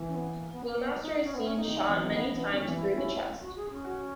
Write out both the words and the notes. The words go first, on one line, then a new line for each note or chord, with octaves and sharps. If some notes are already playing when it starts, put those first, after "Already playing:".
Cluemaster is seen shot many times through the chest.
Already playing: E3
C#4
B3
A#3
B3
A#3
B3
D#4
C#4
B3
C#4
D#4
D#3
E3
F#3
E3
D#3 B3
E3 B3
D#4
D#3 C#4
E3
E4
B3
C#4
F#4
G#4
C#4
F#4